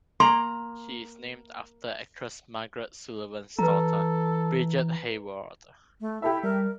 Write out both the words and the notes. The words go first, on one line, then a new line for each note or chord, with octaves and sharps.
She is named after actress Margaret Sullavan's daughter Bridget Hayward.
A#3 A#5 C6
E3 A4 B4 A#5
A3
E4 G4 A4 E5
G3 A#4